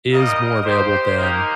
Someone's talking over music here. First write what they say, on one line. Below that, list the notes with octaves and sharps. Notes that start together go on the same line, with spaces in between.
is more available than
G3 A#3 D#4 A#4 D#5
G4 C5
A#3 D#4 G4 A#4